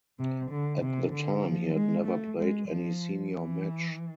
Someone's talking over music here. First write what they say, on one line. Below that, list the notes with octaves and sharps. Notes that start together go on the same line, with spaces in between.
At the time he had never played any senior match.
C3
D3
C3
D3
F3
G#3
A3
G#3
F3
E3